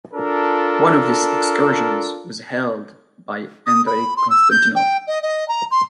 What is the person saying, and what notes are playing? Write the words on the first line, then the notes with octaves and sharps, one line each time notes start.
One of this excursions was held by Andrey Konstantinov.
D4 F4 A4 A#4
D#6
B5
C6
E6
G6
G5
D#5
D#5
A#5
C6